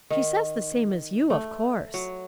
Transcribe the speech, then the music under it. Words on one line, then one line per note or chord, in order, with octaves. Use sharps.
"She says the same as you, of course."
D#3
A3
F#3